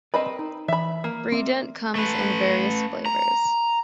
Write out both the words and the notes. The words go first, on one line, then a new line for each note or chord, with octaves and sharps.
Freedent comes in various flavors.
C4 A#4 B4 D#5 B5
D#4
E3 E5 B5
A#3
C4 D5 E5
A3 B4
A#5